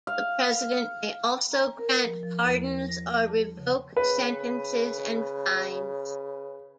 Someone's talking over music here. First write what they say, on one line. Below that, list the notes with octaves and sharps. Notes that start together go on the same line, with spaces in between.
The president may also grant pardons or revoke sentences and fines.
F5
A#5
A#4
F3
F3
E2
A#6
A5
C#3
C#3 B4